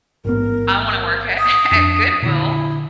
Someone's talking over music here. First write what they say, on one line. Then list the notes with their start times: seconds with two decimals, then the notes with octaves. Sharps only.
I wanna work at at Goodwill,
0.25 A1 G#2 B3 A#4
1.39 D#6
1.71 F2 D4
2.22 A#2 D3 E4